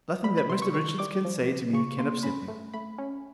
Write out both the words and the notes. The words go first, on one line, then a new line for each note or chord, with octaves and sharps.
Nothing that Mr Richards can say to me can upset me.'
G3 B5
B5
C3 C6
C#6
D#3 C#6
G3 D6
F3
C#3
C#3 C#6
A#3 C6
C#4 B5
A3
A3 B5
C#4